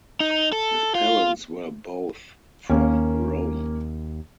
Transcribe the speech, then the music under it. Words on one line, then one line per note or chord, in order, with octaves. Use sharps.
His parents were both from Rome.
D#4
A4
F4
D#2 A#3 C#4